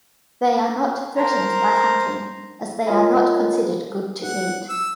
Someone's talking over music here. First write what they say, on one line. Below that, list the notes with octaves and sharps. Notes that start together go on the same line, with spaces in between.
They are not threatened by hunting as they are not considered good to eat.
A#4 C5 A#5
F4 A#4 C#5 D#5 G#5 B5
F#5
E6